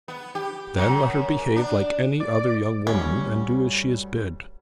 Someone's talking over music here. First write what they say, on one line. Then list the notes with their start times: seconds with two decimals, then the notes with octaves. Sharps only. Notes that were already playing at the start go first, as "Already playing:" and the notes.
'Then let her behave like any other young woman, and do as she is bid.
0.08 B3
0.35 G4
0.77 F#2
1.56 D4
2.20 D5
2.87 D2 G3 C#4